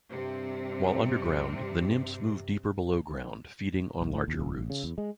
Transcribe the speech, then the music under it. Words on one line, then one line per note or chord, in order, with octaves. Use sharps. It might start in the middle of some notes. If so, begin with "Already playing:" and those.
While underground, the nymphs move deeper below ground, feeding on larger roots.
G2 C3 C4
B1
A2
D#2
D#1
A1
C#3
E2
G#3